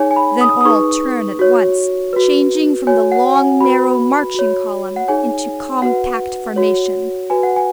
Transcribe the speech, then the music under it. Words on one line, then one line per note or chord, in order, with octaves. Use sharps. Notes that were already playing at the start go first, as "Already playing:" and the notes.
Then all turn at once, changing from the long, narrow marching column into compact formation.
Already playing: D#4 G#4 C#5 G#5
G#5
B5
D#6
D#6
D#4 G#4 B4 C#6
F#4 C#5
F#4 B4
F#4 C#5 G#5
F#5
G#5
F#4 B4 B5
F#4 C#5
F#5
D#4 G#4 C#5 G#5
F#4 B4 F#5
F#4 C#5
F#4 B4 G#5
F#5
G#5